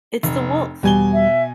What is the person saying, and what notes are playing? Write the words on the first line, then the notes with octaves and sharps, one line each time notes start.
It's the Wolf!
F1
E2 B2 G3 G#5 G7
E5